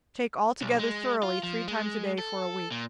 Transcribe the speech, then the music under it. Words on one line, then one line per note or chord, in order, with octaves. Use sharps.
Shake all together thoroughly three times a day for a week.
B1
G#3
F4
F3
G#3
A4
A#2